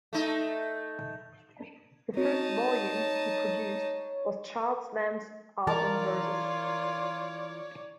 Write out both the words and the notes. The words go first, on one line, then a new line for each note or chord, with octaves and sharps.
The first volume he produced was Charles Lamb's "Album Verses".
A3 D#4
C4 D#4 F#4 C#5 A5
E3 F4 A#4 C#5 D5 A5